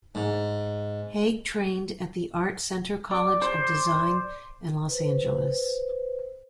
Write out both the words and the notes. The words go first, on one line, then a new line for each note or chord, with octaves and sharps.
Hague trained at the Art Center College of Design in Los Angeles.
G#2
D5
C5
B4 C5